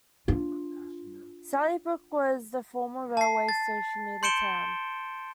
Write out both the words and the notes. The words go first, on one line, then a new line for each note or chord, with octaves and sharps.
Sallybrook was the former railway station near the town.
D4 F4
A5 C7
A6
C6 G6 C#7 D7 E7 G7